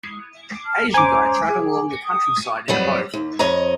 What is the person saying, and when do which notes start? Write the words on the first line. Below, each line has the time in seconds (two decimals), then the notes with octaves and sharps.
Asian guy traveling along the countryside in a boat.
0.66 A5 F6
0.94 C#4 C5 G#5 A#5 D6
1.49 G#4
2.05 D#6
2.68 F2 F#3 G3 B3
3.14 D#2
3.39 F2 C#5 D#5 A#5